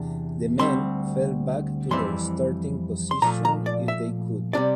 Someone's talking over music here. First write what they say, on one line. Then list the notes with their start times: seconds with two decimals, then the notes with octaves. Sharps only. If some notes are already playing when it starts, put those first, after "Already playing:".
The men fell back to their starting position if they could.
Already playing: E2 C3 D4
0.59 D2 C3 G3 C4 C6
1.91 F2 E3 G3 C4 E4 C6
3.11 C6
3.22 A#2 F3 A3 A#5
3.45 A#5
3.66 D5
3.88 E5
4.53 C3 G3 D4 D5